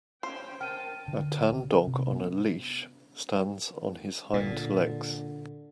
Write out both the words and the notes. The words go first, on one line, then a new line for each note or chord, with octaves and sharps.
A tan dog on a leash stands on his hind legs.
C#4 C5 G5
A#4 G5 A5 F6 D#7
D3
C#3
C3
B3
A#2 D3